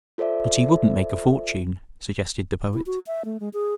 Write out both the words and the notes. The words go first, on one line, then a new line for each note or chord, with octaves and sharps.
"But he wouldn't make a fortune," suggested the Poet.
F4 A4 C5 D5 E5
E4
F#4
E5
A3
G#3
G#4